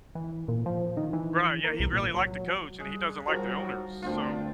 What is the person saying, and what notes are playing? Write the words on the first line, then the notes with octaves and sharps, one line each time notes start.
Right, yeah, he really liked the coach, and he doesn't like their owner, so
E3
A#2
F3
D#3
E3
A#3
C2
A#1
F#3
G3 G#3
D#3 F3 F#3 F#4 A#4
D2 B3 C4 D4 F4